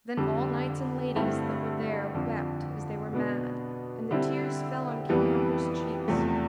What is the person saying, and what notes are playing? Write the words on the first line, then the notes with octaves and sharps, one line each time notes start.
Then all knights and ladies that were there wept as they were mad, and the tears fell on King Arthur's cheeks.
F2 D3 G3
G2 D3 A3 C4 E4
F2 D3 F3
B2 B3 D4
D3 G3 C4 E4
F2 E3 G3 B3
E2 C3 F3 A3